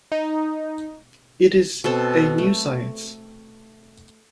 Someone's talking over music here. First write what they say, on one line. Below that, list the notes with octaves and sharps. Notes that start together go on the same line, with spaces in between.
It is a new science.
D#4
B2 C4 A4
A3